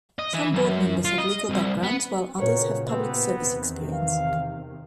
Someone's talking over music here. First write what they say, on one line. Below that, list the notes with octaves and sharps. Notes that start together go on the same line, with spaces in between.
Some board members have legal backgrounds while others have public service experience.
D#5
E3
F#2
F4
D#5
C2
B3
A#2 C#3 F#4 G4 A#4 B4 C#5
B3 C4 G4
E2 C3 D#3
F5